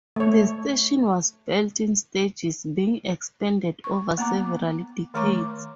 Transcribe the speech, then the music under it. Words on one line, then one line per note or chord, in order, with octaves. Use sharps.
The station was built in stages, being expanded over several decades.
A3 C#5
C#6
A#3 B3 A#5 D6
D#3 A3 C#5 A#5 C#6 D6